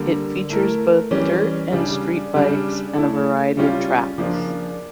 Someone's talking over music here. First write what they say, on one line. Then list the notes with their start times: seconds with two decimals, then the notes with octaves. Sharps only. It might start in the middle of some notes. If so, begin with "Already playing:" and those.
It features both dirt and street bikes, and a variety of tracks.
Already playing: D3 G3 A#3
0.50 A3 E4 A#4
1.11 E3 G3 C#4
1.72 C#3 G3 D4
2.34 C#3 G3 D4
2.95 A3 E4 A4
3.57 C#3 G3 C#4 F4
4.18 C#3 F3 A#3 D4 F4